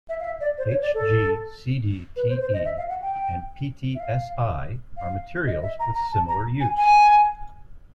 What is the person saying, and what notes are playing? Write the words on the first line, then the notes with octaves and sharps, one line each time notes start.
HgCdTe and PtSi are materials with similar use.
E5
F5
E5
D5
C5
C#5
D5
A4
B4
C5
C5
D#5
E5
F5
F#5
G5
E5
F5
F5
D#5
E5
A#5
A#5
A5
A#5
G#5
G#5